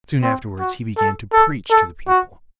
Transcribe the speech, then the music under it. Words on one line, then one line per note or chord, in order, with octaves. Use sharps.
Soon afterwards he began to preach to the people.
C4
F#4
A4
A4
A4
F#4